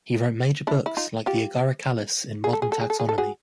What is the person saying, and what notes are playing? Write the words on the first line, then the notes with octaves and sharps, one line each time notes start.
He wrote major books like "The Agaricales in Modern Taxonomy".
D4 E4
E4
D#4 F4
F4 G4
G#4
A4
G#4
A4
G#4
A4
G#4
A4
F#4 G#4